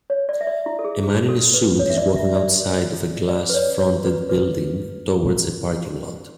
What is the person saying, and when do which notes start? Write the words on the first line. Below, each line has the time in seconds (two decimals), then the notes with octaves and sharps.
A man in a suit is walking outside of a glass fronted building towards a parking lot.
0.10 C#5
0.29 D5
0.41 E5
0.47 D5
0.66 E4
0.79 A4
0.84 G#4
1.03 G#4
1.29 A4
1.54 B4
1.79 C#5
1.90 E5
1.97 D5
2.16 E5
2.35 D5
3.29 D5
3.49 B4
3.54 C#5
3.79 C#5
4.04 B4
4.29 B4